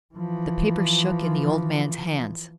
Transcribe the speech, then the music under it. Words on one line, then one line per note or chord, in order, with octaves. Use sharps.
The paper shook in the old man's hands.
E3 F3